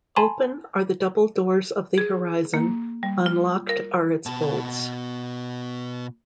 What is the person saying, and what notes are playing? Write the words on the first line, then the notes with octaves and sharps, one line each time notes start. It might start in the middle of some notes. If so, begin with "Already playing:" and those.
Open are the double doors of the horizon; unlocked are its bolts.
G#5 A5 B5 C6
G#4
A#3
G3
F4
A#4
B2 A5